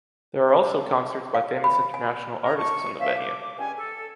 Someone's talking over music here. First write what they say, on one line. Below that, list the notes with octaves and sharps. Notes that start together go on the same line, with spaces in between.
There are also concerts by famous international artists in the venue.
F5
B5
G#5
F#2 A2 C#4 A#5 F6
A5 C#6
F3 C#4 B4 E5 F5
D6
C#2 G2 C#4 G#5
A4